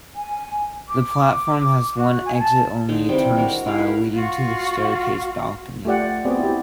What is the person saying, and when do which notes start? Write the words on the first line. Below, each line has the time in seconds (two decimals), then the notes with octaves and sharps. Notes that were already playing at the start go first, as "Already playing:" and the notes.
The platform has one exit-only turnstile leading to the staircase balcony.
0.16 G#5
0.88 D6
1.96 F#4
2.25 G#5
2.39 A5
2.88 D3 G#3 D#4
3.09 C3 E3 G3 D6
3.36 G#3 D4 F#4 A#4
3.66 E4 G4 F5
3.78 A#4 B4
4.15 F4 F#4
5.85 A3 F4 G4 D5 F#5
6.25 B3 C4 F#4 G#4 D5
6.39 E4 G4